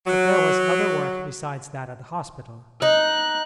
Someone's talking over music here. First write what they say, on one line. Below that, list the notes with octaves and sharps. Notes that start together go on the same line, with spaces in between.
But there was other work besides that at the hospital.
F#3
D#4 F#6